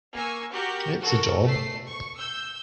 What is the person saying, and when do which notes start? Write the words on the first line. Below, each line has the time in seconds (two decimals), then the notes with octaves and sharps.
It's a job.
0.14 A#3 G#5 C#6 E6
0.52 F#4 G4 A#4 G6
1.01 F#4 A4 A#4
1.42 A3 C7
1.86 C#6
2.16 E6 G6